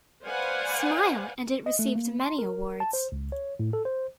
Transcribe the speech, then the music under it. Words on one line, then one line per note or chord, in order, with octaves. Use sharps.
Smile and it received many awards.
B4 C5 D5 F5 F#5 G#5
D#5
A3
A#3
C6
A#4
A5
C5
C#2
C#5
A2
A4
C5